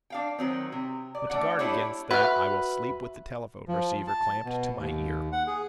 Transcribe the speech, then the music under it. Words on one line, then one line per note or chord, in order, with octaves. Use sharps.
But to guard against that I will sleep with the telephone receiver clamped to my ear.
D4 F5 G5
D#3 F#3 C4
C3
D5
A3 D4 D5 F#5
A3 D4 E4 F#4 G4 C#5
F#4 B4 E5 F#5 F6
F3
A5
B2
D#2
F#5
G#4